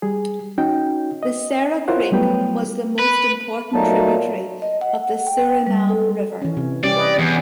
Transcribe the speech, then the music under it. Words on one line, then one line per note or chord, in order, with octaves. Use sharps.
The Sara Creek was the most important tributary of the Suriname River.
G3 G#4
C#4 D#4 F#4 G5
D#5
E4 F4 A#4 C5 C#5 F#5
F#3 G3 A3 B3 B4 G5
B4
A#2 F#3 A3 D#4 A5
D#5
F#5
G5
G3
A4
E3 C#4
C3
G3 C#4 G4 D5
B4 D#5
E2